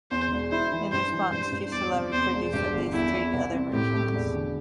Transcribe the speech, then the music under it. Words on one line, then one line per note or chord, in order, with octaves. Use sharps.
In response, Fuseli produced at least three other versions.
E2 C5
E1
E4 C5
E3
G2 C5
E3
G2 C5
G2
E2 D5
C3
E2 C5
E1
G2 G4
G1
E2 E4
E2
C2
C4
A2 G4
A3
E1
D3